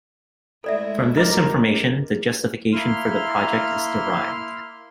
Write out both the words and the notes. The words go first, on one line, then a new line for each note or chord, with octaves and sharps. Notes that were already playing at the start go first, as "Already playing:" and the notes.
From this information, the justification for the project is derived.
G#3 A3 E4 A4 D5 E5
A#4 D#5 D6
A#3 E4 C6 F6